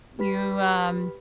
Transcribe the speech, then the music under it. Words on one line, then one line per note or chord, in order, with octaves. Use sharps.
"You" um,
G4 B4 B5 B6